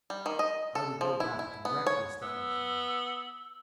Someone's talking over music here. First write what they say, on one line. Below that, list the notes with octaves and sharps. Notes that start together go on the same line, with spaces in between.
I would go back and wreck the establishment.
G3
D#3
D#5
A4
F3
E4
E4
B3
C#5
B3 E6